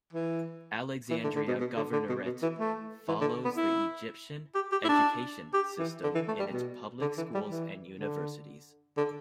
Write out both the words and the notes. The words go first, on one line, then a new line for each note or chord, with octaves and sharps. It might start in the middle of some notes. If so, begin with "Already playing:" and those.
Alexandria Governorate follows the Egyptian Educational System in its public schools and universities.
E3
E3
D3
D3
B2
B2
D3
D3
B2
B2
E3
A3
E3
D3
B3
E4
G4
G4
E4
D4
G4
E3
D3
E3
A3
G3
B2
D3
E3
G3
E3
D3
D3